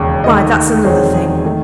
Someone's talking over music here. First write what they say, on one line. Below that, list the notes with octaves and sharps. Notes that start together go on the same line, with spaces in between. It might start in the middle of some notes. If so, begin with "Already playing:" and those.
'Why, that's another thing.
Already playing: E1 D#2 C#3
D#2 D#3 A3 D#4 D#5
E1 E2 D#3 F#3 C4 G#4
G#4
D#3 A3